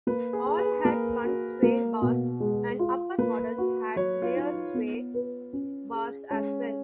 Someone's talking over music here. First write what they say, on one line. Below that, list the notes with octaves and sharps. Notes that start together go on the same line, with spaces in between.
All had front sway bars and upper models had rear sway bars as well.
A#3 B4
G#4
G#4
B4
A#3 A#4
F#4
A#3
B2
G#3
F4
A#3 B4
F#4
F#3 C#5
F4
D#4
B3
B4
C#4
G#4
G#3 C#4